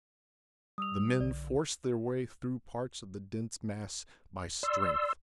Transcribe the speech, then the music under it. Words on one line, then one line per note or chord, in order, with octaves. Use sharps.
The men forced their way through parts of the dense mass by strength.
G3 D#6 E6 F7
B1 D3 D5
D5 C6 E6